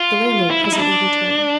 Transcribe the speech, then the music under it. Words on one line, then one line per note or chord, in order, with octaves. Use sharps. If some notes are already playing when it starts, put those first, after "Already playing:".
The landlord presently returned.
Already playing: F4
E4
E4
D#4
D4